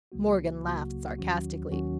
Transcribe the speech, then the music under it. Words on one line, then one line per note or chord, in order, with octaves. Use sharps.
Morgan laughed sarcastically.
C#2 C#3 F#3 A#3 F#4
C#2 C#3 F#3 A#3 F#4
D#2 D#3 F#3 C#4 F#4
D#2 D#3 F#3 C#4 F#4